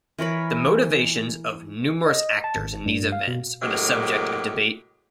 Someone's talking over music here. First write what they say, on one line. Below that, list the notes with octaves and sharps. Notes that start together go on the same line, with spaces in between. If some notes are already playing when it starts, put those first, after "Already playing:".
The motivations of numerous actors in these events are the subject of debate.
E3 A#4 C#5 B5
D#5
A5
G#1
G2
F5
B2
A2 C3 F#3 G#3 A#3 G4